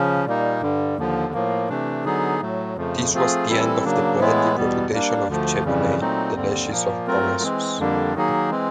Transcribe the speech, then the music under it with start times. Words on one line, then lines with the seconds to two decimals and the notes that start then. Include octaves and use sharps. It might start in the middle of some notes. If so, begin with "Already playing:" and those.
This was the end of the poetic reputation of Chapelain, the legist of Parnassus.
Already playing: C#3 F3 C#4
0.26 A#2 G3 A#3 D#4
0.62 G2 D3 G3
0.97 D#2 D3 F3
1.33 A2 F3 A#3
1.69 C3 E3 A3 D4
2.05 D3 F#3 B3 D#4 G#4
2.41 A2 F#3 A3
2.77 F2 C#3 F3 A3
3.13 F3 A3 C4 F4 G#4
3.48 E3 G3 C4 E4 A4
3.84 C#3 F#3 A#3 D4
4.20 A2 E3 G#3 B3 E4
4.56 E2 B2 G3 B3
4.92 G3 A#3 D4
5.28 D2 D3 F3 A3
5.64 F2 C#3 E3 G3
5.99 A#2 F#3 A3 C4 D#4
6.35 D#2 D3 G3 C4
6.71 A#2 F3 A#3
7.07 F#3 A3 C4 F4 A#4
7.43 E3 G#3 C4
7.79 F2 D3 G3 A#3 D4
8.15 D#3 F#3 A#3 D#4 G#4
8.51 E3 G#3 C4